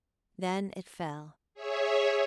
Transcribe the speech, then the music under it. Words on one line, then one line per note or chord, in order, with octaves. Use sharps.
Then it fell.
G#4 C#5 E5